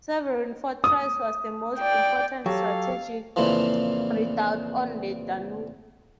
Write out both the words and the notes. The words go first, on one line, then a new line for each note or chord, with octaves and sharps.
Severin fortress was the most important strategic redoubt on the Danube.
D#6
D5 G5
F#3 G4 A4 F5
F2 A#2 C#3 E3 F3